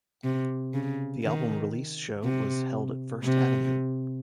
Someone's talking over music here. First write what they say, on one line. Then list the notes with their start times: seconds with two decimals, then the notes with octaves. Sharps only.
The album release show was held at First Avenue.
0.24 C3
0.74 C#3
1.24 D#3
2.24 C3
3.24 C3